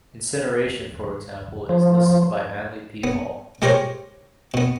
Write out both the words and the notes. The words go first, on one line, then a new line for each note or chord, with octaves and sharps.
Incineration, for example is listed by Manly P. Hall.
F3
B3
G#3 G4 A#4 C5 C#5
B2 B3